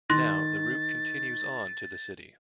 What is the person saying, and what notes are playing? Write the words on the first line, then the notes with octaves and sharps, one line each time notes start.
Now, the route continues on to the city.
D#3 C6 F#6 A6 A#6